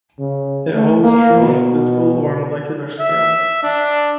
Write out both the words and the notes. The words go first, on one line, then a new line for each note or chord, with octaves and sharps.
It holds true on a physical or molecular scale.
C#3
A3
A#3
B2
E5
D4